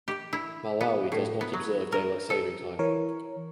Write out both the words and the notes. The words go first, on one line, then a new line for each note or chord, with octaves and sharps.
Malawi does not observe daylight saving time.
G4
E4
B3
A2
B3
F#3
A#4
A4
E3 A#4 C#5